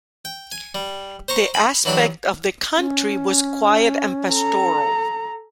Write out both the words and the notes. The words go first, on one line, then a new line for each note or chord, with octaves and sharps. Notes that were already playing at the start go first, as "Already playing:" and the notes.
The aspect of the country was quiet and pastoral.
G5
G#5
G3
C5 A#5 C#6
B5
E3 F#3 D4 G4 B5
C#4
A4 A#5